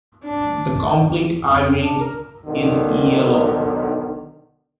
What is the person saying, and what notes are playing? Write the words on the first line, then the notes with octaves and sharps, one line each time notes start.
The complete eye-ring is yellow.
D4
F2
D4
A#4
B1 D3 D#3